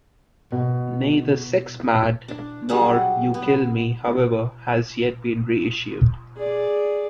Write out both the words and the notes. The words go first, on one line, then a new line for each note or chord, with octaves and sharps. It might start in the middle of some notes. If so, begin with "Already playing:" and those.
Neither "Sex Mad" nor "You Kill Me", however, has yet been reissued.
B2
D4
F#3 G3 G#4 F#5
B3
G#4 D5